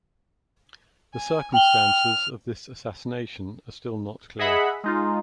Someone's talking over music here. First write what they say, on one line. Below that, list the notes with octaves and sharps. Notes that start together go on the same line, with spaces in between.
The circumstances of this assassination are still not clear.
G#5
G5 F6 F#7 G7
G#4 D#5 E5 F#5 B5
G#3 D#4 F4